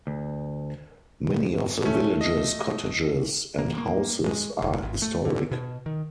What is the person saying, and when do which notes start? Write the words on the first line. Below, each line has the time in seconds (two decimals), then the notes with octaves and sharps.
Many of the village's cottages and houses are historic.
0.07 D2
1.85 A3 C#4
2.21 D#5
3.59 A#3
3.78 A#3
4.26 G#3
4.62 F1
4.83 G#1
5.02 A3
5.25 D3
5.51 B2
5.86 D#3